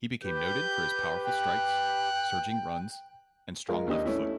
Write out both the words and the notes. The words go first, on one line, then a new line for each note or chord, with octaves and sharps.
He became noted for his powerful strikes, surging runs, and strong left foot.
G4 B4 G6
G5 F#6
G#3 F4 A#4
D#2 D4 G4 D#5
A3 C#4 E4